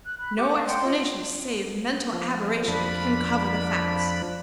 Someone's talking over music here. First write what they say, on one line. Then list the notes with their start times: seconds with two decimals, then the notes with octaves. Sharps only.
No explanation save mental aberration can cover the facts.
0.04 F#6
0.18 B5 F#6
0.37 G4 F#5 D6
0.55 D#5 F5 C#6
0.66 F#5 G5 C6
0.84 F4 D#5
2.13 F3
2.68 F2 F3 D4 B5